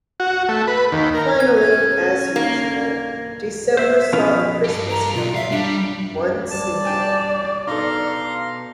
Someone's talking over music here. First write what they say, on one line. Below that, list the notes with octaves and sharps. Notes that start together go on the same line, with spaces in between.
Finally, as usual, December saw the Christmas number one single.
F#4
A3
B4
D#2
A#4
C#4 G#6
A#3
C5 E5
B2 F3 B3 C#4 E4 F5
G2 G4
A#5
B1 F4
E5 F5
G3 D4
F#2
G3 D5 A5
D4 G5 G#5
B2 D4 D#4 A4 F5 A#5 C6